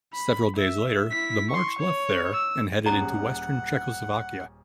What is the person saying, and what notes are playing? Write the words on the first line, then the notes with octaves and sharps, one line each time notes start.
Several days later the march left there and headed into western Czechoslovakia.
B5
E5
E4 B6
C6 C#6
C#5
E6
D#1 C#4 G#4 F#5 A#5